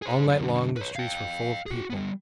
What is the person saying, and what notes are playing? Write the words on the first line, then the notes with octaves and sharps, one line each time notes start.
All night long the streets were full of people.
G#4 C5
F#2 D3
B4 C#5
F5 G5
F#4 G#4
G3 B3